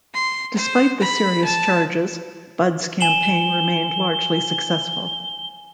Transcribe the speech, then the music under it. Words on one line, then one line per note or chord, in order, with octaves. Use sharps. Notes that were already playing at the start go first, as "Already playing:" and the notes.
Despite the serious charges, Budd's campaign remained largely successful.
C6
C5
B5
A5
G#5 E7 F#7 G7